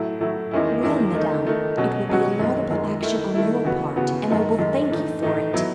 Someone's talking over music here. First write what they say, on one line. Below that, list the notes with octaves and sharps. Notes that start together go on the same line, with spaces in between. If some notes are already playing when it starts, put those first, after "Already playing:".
"Well, madame, it will be a laudable action on your part, and I will thank you for it!"
Already playing: A2 F#3 A3 E4
A2 F#3 A3 E4
E2 D#3 G#3 C#4 E4
E2 D#3 G#3 C#4 E4
D#3 A3 D#4
D#3 A3 D#4
B2 F#3 C#4 F#4
B2 F#3 C#4 F#4
F#2 D#3 G#3
F#2 D#3 G#3
D#3 A3 E4
D#3 A3 E4
C#3 E3 B3 F#4
C#3 E3 B3 F#4
F#2 D#3 G#3
F#2 D#3 G#3
A2 E3 A3 D#4
A2 E3 A3 D#4
F#3 B3 E4